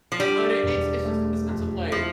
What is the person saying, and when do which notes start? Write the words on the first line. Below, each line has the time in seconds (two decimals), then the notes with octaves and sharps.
But it it's it's just in the sense of, like,
0.12 F3
0.19 D3 G3
0.63 E1
1.05 A3
1.49 F2
1.92 F3 E4